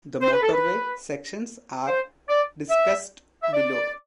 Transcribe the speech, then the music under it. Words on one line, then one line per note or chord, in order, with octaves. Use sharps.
The motorway sections are discussed below.
C5
B4
A4
B4
C5
D5
E5
E5
D5